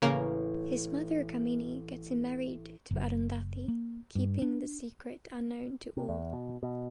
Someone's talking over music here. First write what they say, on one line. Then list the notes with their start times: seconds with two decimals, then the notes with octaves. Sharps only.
His mother Kamini gets him married to Arundhati keeping the secret unknown to all.
0.02 A1 C#3 A#3
2.91 F#1
3.68 A#3
4.15 G2
4.42 D4
5.97 C3
6.09 E2
6.33 B2
6.63 B2